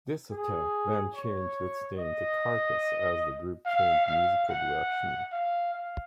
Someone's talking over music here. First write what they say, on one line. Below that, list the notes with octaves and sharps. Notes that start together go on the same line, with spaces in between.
Disattack then changed its name to Carcass as the group changed musical direction.
G#4
C#5
D#5
F5
F5
F#5
F5
F5